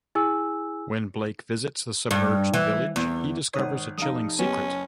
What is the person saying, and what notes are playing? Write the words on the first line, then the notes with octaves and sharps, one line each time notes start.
When Blake visits the submerged village he discovers a chilling secret...
E4 G#4 G#5 E6
G2
E3
E2
G#1 D#3 C#5 D#6
F1 D#4 F5 D#6
F#1 B3 C#4 G4